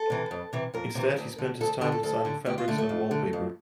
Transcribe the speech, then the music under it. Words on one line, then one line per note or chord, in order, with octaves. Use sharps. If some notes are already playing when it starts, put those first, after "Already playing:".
Instead he spent his time designing fabrics and wallpaper.
Already playing: A4
C3 E3
F2
C3 E3
F2 A#4
C3 E3
D2
D3
D2 A4
D3 G4
A4
D2 A4
D3
D2 G4
F4
D3 A3
A3
F2
D3
F2